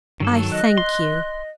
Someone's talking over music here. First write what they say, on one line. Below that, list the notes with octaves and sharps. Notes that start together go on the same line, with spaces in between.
I thank you.
G2 D#3 F#3 A4
D#5 F#6
C6